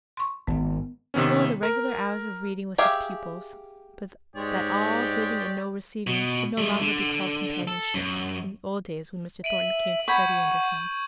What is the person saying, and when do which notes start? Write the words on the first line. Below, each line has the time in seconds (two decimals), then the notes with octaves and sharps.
There were the regular hours of reading with his pupils, but that all giving and no receiving could no longer be called companion-ship, as in the old days when Mr. Thornton came to study under him.
0.17 C6 C#6
0.47 G#1 B3
1.14 C3 D#3 B3 C#4
1.63 A#4
2.78 G4 G#4 E5 F5
4.36 G#2 G#3 G4 C#5 D5
6.07 B2
6.58 G3 A3
6.81 D3
7.67 A4
7.94 F#2
9.44 E5 D7 D#7 F#7
10.08 F#5 B5 C#6 G6 G#6